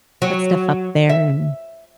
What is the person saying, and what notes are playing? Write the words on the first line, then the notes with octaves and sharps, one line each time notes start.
put stuff up there and,
F#3
E5